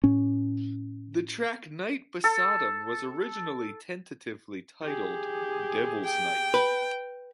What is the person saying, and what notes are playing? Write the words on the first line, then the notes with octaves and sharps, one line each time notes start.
The track "Night, BeSodom" was originally tentatively titled "Devilsnight".
A2 C#4
A4
G4 G#4
G5
B4